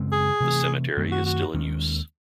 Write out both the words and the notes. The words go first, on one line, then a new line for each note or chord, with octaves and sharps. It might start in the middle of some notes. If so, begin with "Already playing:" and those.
The cemetery is still in use.
Already playing: F#2 C#3 G#3 C4
G#4
C3 E3 A3
F#2 D#3 A3 C4
F#4
F#4
D#2 D#3 G#3 C#4